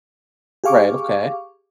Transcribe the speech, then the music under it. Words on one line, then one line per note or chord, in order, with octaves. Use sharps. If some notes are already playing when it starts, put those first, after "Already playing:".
Right, okay.
G4 G#4 F5 C#6 D6